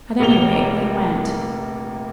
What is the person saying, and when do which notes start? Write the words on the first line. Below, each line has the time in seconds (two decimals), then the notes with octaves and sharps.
At any rate, they went.
0.20 F1 A#1 A#3 F7 G7